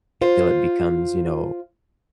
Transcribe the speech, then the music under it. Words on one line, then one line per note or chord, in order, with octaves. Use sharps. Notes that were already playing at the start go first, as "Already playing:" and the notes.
until it becomes, you know,
F4 C5